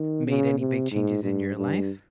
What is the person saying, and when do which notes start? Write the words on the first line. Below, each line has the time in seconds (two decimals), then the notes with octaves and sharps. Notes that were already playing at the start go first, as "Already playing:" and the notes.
made any big changes in your life
Already playing: D#3
0.27 C#3
0.59 C3
0.92 G#2
1.23 G2
1.56 G2